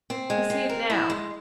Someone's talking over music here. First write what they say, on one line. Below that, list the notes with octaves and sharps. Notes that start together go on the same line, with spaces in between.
I see it now.
C4
G#3
C4
A#4
E4
G#3